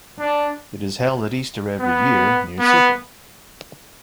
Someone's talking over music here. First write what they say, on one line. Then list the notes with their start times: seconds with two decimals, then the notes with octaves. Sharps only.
It is held at Easter every year, near Sydney.
0.19 D4
1.80 B3
2.59 B3